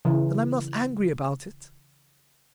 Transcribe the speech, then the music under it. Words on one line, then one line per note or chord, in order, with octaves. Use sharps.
And I'm not angry about it.
C#3 E3